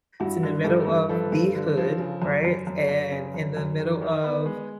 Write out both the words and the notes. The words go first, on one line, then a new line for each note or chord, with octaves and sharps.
it's in the middle of the hood, right? And, in the middle of
G2 E4 F#4
D3
G2 G4 A4
G2
F3 A4 B4
G2
D3
F3
C#3
F#2
F#2
F#2
F#2
C#3
F#2
F#2
D#3
D#3
B3
G#3